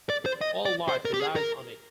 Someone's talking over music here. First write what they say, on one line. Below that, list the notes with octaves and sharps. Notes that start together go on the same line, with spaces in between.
All life relies on it.
D5
C5
D#5
D5
C5
A#4
G4
G#4
A#4